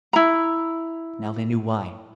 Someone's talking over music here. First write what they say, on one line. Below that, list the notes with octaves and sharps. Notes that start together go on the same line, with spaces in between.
Now they knew why.
E4 A#5